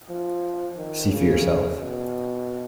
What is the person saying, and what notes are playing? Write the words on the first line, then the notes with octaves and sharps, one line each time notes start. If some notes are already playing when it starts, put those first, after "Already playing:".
See for yourself.
F3
D#3
C#3
B2